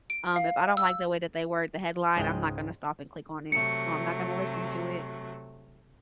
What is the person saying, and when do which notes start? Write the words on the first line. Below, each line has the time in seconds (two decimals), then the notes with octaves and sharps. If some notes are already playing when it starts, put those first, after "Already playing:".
um, if I don't like the way that they word the headline, I'm not gonna stop and click on it or I'm not gonna listen to it,
0.10 D7
0.36 F5
0.77 E6
2.17 C#2 G#2 G#3 G#4 G5
3.52 C3 F#3 A3 C#7